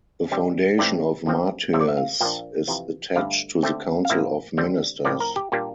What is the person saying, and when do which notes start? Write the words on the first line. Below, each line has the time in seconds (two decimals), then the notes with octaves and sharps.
The Foundation of Martyrs is attached to the Council of Ministers.
0.31 D3 G3 C4
0.78 A2 E3 A3 C4 D5
1.26 F2 D3 F3 C4
1.73 F2 C3 G3 C4 E5
1.81 D5
1.88 E5
1.97 F5
2.20 A#2 F3 A#3 D4 G5
2.67 F2 C3 E3
3.15 G2 D3 A3 F5
3.63 D3 A3 C4
4.05 F5
4.10 A2 F3 A#3 E5
4.58 D3 G3 C4
5.05 A2 F3 C4 D5
5.20 A#4
5.36 G4
5.52 A#2 G3 A#3 D4 G4